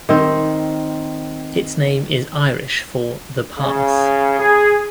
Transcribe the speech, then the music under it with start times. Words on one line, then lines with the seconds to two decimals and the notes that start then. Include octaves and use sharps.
Its name is Irish for "the pass".
0.09 D#3 C4
3.58 C#3
4.39 G#4